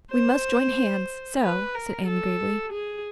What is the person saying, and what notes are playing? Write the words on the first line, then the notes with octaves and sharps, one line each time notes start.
"We must join hands--so," said Anne gravely.
C5
B4
A#4
A4
G#4